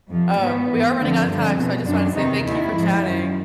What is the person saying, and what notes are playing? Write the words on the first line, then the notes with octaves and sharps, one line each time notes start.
Uh, we are running outta time, so I just wanted to say thank you for chatting.
F2 C3 F3
G#2 D#3 B3
G#2 E3
D2 D3 F3 C4
G2 D3 F3
E2 B2
F#2 D#3 D4
E2 C3 D#3 D#4
D#2 D#3 E4
G#2 F3
F#2 D#3